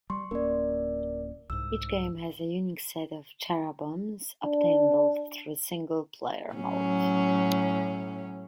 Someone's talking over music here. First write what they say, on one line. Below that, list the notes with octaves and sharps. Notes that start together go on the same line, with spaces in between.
Each game has a unique set of Charaboms obtainable through single player mode.
G3 C6 C#6
D1 A#3 C#4 A#4 D5
C2 G#2 E6
D4
A2 F#3 C#4